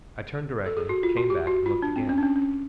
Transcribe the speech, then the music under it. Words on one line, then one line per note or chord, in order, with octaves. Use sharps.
I turned directly, came back, and looked again.
A4
G#4
F#4
F4
F#4
G4
F#4
F4
D4
C4
C#4
D4
C#4
C#4